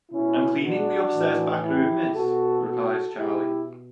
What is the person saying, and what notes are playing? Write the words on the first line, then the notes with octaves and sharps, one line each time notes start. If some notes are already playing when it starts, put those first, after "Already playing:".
"I'm cleaning the upstairs back room, miss," replies Charley.
B2 C#4 E4
D4 F#4
A2 E3
E4 G4
B2 F#4 A4
F#4 A4
B2 E4 G4